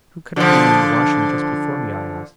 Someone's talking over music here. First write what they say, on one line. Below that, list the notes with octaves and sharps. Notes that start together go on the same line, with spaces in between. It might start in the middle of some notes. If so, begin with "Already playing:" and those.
"Who could have been in the washroom just before me?" I asked.
D3 F3